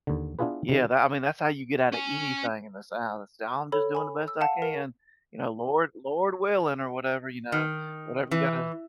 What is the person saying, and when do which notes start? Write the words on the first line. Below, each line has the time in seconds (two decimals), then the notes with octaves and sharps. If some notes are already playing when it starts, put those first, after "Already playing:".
Yeah, that I mean, that's how you get out of anything in the South. Say, "I'm just doing the best I can, you know, Lord Lord willing," or whatever, you know, whatever you gotta
0.07 D#2 D3
0.39 B3 D4 E4 F4 G#4 B4
0.69 C3 D#3
1.92 C#4 G#5
3.72 A4 C#5 B5
3.95 G#5 B5
4.28 E6
4.41 F5 F#5 A5
4.62 A#4
7.52 D#3
8.31 E3